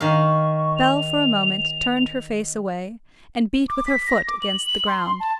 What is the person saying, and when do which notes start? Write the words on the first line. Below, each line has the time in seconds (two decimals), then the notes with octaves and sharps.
Bell for a moment turned her face away, and beat with her foot against the ground.
0.01 D#3 F5 C#6
0.76 F7
3.69 D6
3.86 B6
4.07 A#6
4.28 D6
4.42 F#7
4.66 F#7
4.87 C6
5.20 A5